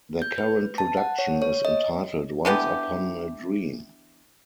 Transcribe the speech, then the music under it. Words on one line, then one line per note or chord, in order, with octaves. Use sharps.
Their current production is entitled 'Once Upon A Dream.
G6
B4
A5
F#5
C#5
C#5
D#5
D3 E3 B3 G4